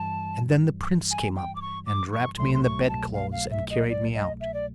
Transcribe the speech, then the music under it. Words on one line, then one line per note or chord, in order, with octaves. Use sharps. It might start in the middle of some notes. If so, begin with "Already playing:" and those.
And then the Prince came up and wrapped me in the bedclothes and carried me out.
Already playing: G2 E3 G3 A5
G#5
G5
D6
C#6
D6
C#6
C2 B2 F#3 A3 C6
C6
C#6
A5
F5
F5
E5
D#5
D5
D#5
E5
D5